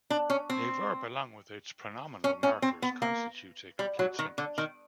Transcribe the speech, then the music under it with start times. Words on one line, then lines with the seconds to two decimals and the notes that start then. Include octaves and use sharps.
A verb along with its pronominal markers constitutes a complete sentence.
0.10 D4
0.30 C#4
0.50 C4
2.24 C#4
2.43 C#4
2.62 C4
2.82 B3
3.02 A#3
3.79 G3
3.99 F#3
4.19 D#3
4.38 D3
4.58 D#3